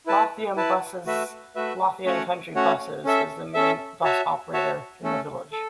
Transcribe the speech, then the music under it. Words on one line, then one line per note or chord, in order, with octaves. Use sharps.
Lothian Buses's "Lothian Country Buses" is the main bus operator in the village.
E4 B4 A5
E4 B4 A5
A3 F#4 B4 E5
A3 F#4 B4 E5
A3 C#4 F#4 C#5 F#5
A3 C#4 F#4 C#5 F#5
C#4 A4 E5
C#4 A4 E5
F#4 C#5 E5 A5
F#4 C#5 E5 A5
A3 C#4 A4
A4